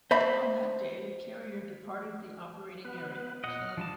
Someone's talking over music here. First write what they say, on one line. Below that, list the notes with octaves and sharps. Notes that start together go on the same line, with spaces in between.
On that day, the carrier departed the operating area.
C5 E5 B5
B3 B4
A#2 D#5 F#5
F#3 F6
F3 G3 D4 A5